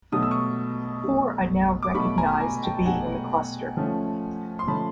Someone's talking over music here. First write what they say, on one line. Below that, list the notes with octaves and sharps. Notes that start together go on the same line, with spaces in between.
Four are now recognised to be in the cluster.
B2 F#3 A3 D#6
E6
C#6 D#6
B2 F#3 A3
D6
B2 F#3 A3 B5 C#6
G#5 A#5
G#5 A#5
G5 A5
A5
B2 F#3 A3 F#5 G#5
F3 A3 C#4
C6
F3 A3 C#4 A5 B5